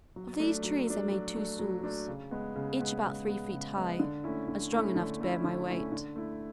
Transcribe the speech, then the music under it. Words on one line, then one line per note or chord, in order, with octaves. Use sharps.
Of these trees I made two stools, each about three feet high, and strong enough to bear my weight.
F#3
A3 D4
F#3
A3 D4
F#3
A3 D4
F#3
A3 D4
C#3
G#3 B3
C#3
G#3 B3
C#3
G#3 B3
C#3
G#3 B3
D3
A3 C#4 E4
D3
A3 C#4 E4
D3
A3 C#4 E4
D3
A3 C#4 E4
D3
A3 E4